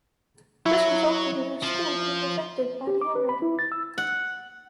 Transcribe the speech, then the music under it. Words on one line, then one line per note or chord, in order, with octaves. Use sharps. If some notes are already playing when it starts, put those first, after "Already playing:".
This resulted in her school being evicted by the owner.
F#3 E4
F3
G4
D6
B4
B5
E4
A6
E6
F#5